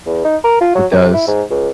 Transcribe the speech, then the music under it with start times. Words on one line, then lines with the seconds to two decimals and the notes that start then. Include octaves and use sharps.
It does.
0.06 E2
0.25 D#4
0.44 A#4
0.61 F4
0.75 F#3
0.91 C3
1.14 E4
1.27 G#2
1.50 C#2